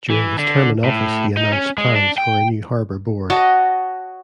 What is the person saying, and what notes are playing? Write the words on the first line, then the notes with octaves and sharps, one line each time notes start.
During his term in office he announced plans for a new Harbor board.
E3
D3
A2
D#4
C#4
G#3
D4
G5
F#4 C#5 D#5 A5